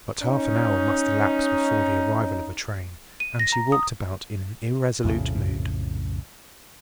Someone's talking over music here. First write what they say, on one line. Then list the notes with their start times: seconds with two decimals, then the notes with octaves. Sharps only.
But half an hour must elapse before the arrival of a train, and she walked about in an irresolute mood.
0.23 C#4 D#4
3.20 D#7
3.39 A#6
3.52 A#5
3.72 D#6
5.04 B1 F2 A2 C#3